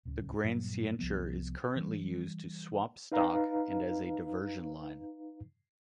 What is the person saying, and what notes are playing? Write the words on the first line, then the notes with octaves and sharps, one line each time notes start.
The Grande Ceinture is currently used to swap stock and as a diversion line.
D1 C#2 C#3
G2 A#2 F#3
C2 F3 B3
E3 G3
D#4 B4 F5 A#5